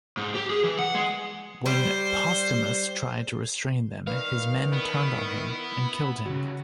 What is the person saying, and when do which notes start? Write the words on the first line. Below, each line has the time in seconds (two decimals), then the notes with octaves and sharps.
When Postumus tried to restrain them, his men turned on him and killed him.
0.17 G#2
0.35 G4
0.50 G#4
0.64 E3
0.79 F#5
0.95 G#3
1.66 G3 C5
4.07 D#3 B4 D5 F5
4.73 B3 E4
6.26 D#2 C#3 F#3 F#4